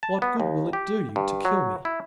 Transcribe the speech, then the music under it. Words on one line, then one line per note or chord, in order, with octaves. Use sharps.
What good will it do you to kill me?
A5
B3
D#2
G4
G2
F#3
E4